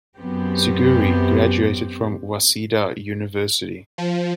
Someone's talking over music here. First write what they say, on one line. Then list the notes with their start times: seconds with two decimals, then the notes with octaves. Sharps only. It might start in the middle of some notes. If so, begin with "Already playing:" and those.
Suguri graduated from Waseda University.
0.17 F#2 B3 C4 G4
3.98 F3